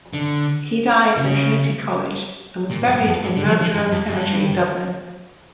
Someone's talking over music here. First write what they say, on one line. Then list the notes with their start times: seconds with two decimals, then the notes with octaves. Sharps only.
He died at Trinity college and was buried in Mount Jerome cemetery, Dublin.
0.14 D3
1.17 C#3
2.71 A#2
2.88 G2
3.06 F2
3.23 G2
3.36 D3
3.48 F3
3.61 F3
3.74 G2
3.92 F2
4.08 G2